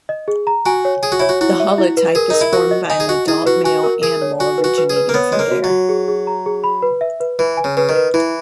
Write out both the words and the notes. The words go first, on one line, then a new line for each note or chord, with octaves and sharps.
The holotype is formed by an adult male animal originating from there.
D#5
G#4
A#5
F#4 G#5
C#5
G#4 G#5
F#4
E4 C#5
F#4
E4 F#4
E5
E4
B4
G#4 A#4
D#4 A#4
E4
F#4 A#4
D#5
D#4 G#5
G#4
F#4 D#5
E4 G#4
F#4 B4
F#4 G#5
A#4
G#4 A#4
C#5
F#4 G#5
B4
F#4
B4
G#4
B4
A#3
B3 C#5
G#3 C#5
A#3
F#4
F#3
F#4
G#4
G#4
A#5
G#4
B5
B4
E5
B4
E3 B4
G#5
C#3
C#3 B4
D#3
B4
E3 E4